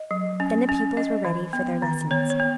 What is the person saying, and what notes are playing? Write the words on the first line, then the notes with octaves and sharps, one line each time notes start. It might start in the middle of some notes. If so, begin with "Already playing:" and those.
Then the pupils were ready for their lessons.
Already playing: D#5
F#3
C#4
C#4
C#4 D#5
E3
B3
D#3
B3 C#5
C#5
B3